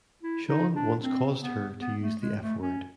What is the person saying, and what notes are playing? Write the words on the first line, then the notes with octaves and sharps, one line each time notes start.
Sean once caused her to use the F-word.
E4
D#4
D4
C4
B3
B3
A3
G#3
A3
C#4